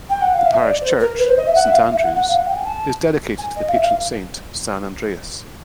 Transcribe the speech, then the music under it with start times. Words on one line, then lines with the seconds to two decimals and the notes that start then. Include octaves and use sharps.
The parish church, Saint Andrew's, is dedicated to the patron saint, San Andreas.
0.09 G5
0.21 F#5
0.33 F5
0.45 E5
0.57 D#5
0.63 D5
0.81 C5
0.99 A#4
1.18 B4
1.27 C5
1.37 D#5
1.46 E5
1.55 F#5
1.65 E5
1.72 F5
1.91 E5
2.03 F#5
2.15 F#5
2.28 F5
2.36 F#5
2.45 G5
2.55 G#5
2.64 A5
3.37 G#5
3.56 D#5
3.68 F5
3.73 E5
3.83 F5